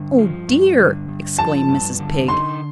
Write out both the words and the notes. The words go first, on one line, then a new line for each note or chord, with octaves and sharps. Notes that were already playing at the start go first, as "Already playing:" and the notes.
"Oh dear!" exclaimed Mrs. Pig.
Already playing: G2 D3
F3
G2
D3
G2
F3 A5
G2
D3
D#4 C6